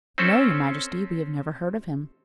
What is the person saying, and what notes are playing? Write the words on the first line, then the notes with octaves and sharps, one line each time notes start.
'No, your majesty, we have never heard of him.'
C4 C#4 A4 C5